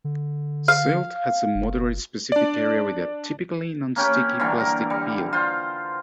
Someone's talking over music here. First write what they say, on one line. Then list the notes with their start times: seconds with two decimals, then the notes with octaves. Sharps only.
Silt has a moderate specific area with a typically non-sticky, plastic feel.
0.04 D3
0.68 F5
1.55 F#1
2.32 D4 D5
3.96 A#3 C#4 G4 B4
4.40 D3 E3 G3 A#3
4.60 A#4
4.90 G3
5.33 F4 C5